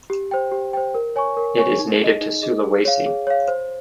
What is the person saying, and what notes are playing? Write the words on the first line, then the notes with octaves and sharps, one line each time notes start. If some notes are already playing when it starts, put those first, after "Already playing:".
It is native to Sulawesi.
G4
C5 G5
G4
C5 G5
A#4
C#5 G#5 C#6
A#4
C#5 G#5 C#6
D#4
G#4 D#5
D#4
G#4 D#5
G#4
C#5 F5
G#4
C#5 F5
C5